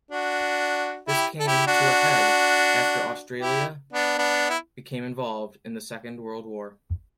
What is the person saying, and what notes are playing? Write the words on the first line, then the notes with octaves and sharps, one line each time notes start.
This came to a head after Australia became involved in the Second World War.
D4 F#4
E4 G4
A4
E4 G4
D4 F#4
E4 G4
B3 D4
B3 D4
E4